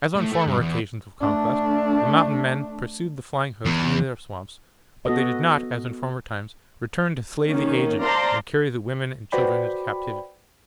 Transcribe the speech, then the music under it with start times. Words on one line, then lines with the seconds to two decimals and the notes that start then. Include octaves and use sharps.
As on former occasions of conquest, the Mountain-men pursued the flying host into their swamps, but they did not, as in former times, return to slay the aged and carry the women and children into captivity.
0.16 A2
0.32 A3
0.47 G2
0.60 E2
1.21 A3 D4
3.66 E2
5.05 B3 F#4 A4 D#5
7.47 D#3 A#3 C#4
8.02 C5 D5 F5 A5 A#5 C6
9.32 F#4 B4 C5 D5 G5 B5